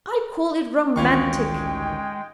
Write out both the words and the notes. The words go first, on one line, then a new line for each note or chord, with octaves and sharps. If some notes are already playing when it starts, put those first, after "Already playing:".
I call it romantic.
A1 D2 D#3 G#3 C#4 F4 G5 C#6